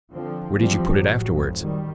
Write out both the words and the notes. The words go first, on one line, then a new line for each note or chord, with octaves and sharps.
"Where did you put it afterwards?"
D3 F3 C4
E3 F3 G3 C4
A1 F#3
G#1 F2
D#3 G3